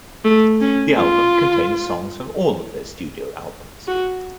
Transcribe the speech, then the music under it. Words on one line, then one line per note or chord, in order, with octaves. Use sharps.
The album contains songs from all of their studio albums.
A3
C#4
F4
F#4